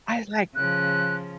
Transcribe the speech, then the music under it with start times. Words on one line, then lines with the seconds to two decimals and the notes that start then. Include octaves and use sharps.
I was like
0.55 C#3 F3 F#6